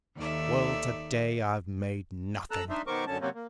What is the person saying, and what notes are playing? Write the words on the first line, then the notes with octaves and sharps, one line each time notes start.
Well, to-day I've made nothing.
D#2 D#3 A4 D5 E5
A4 A#5 E6 F#6
D4 D#4 C5 E5
B2 D#3 A#4 C5 C#6 D6
F#2 D3 C#4 A5
C3 F#3 G3 A#3 C4 C#4
A#3